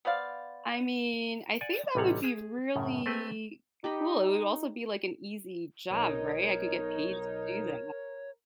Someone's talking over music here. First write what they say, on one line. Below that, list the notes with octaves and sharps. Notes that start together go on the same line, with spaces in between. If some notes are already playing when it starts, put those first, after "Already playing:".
I mean, I think that would be really cool. It would also be, like, an easy job, right? I could get paid to do that.
B3 C5 D5 F5
D5 F#5 G#5
A1 C3 G3 C#5 F#5
G#4
F#2 A2 C#3
A3 C4 G#4 A4 B4 G5
D#4 G4 D#5 B5
B1 D#4 A#4 C#5